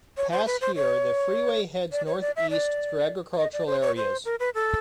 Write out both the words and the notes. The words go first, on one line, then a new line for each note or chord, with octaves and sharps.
Past here, the freeway heads northeast through agricultural areas.
C#5
C5
B4
C5
C#5
D5
C#5
D5
E5
D5
D#5
D5
C5
C#5
C5
A#4
B4
A4